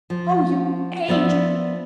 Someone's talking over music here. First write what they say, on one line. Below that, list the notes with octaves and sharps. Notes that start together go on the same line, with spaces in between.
Oh, you angel!
F3
F3 B3 D5 E5